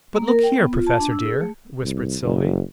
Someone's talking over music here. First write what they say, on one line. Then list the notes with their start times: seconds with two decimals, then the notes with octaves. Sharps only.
"But look here, Professor dear!" whispered Sylvie.
0.15 A#3
0.28 A#4
0.43 G5
0.56 B3
0.73 F4
0.87 A5
1.00 D4
1.11 E6
1.25 G#4
1.41 A3
1.83 C2
2.22 F#1